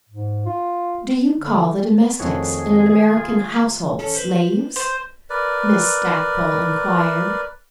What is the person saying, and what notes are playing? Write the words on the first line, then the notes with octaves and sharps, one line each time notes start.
"Do you call the domestics in an American household 'slaves'?" Miss Stackpole enquired.
G#2
F4
D3
F2 D#3 A3 E4 F#4 G#4 C#5
F4
C#4 A4
B4 C5
C5
A#4 B4 D5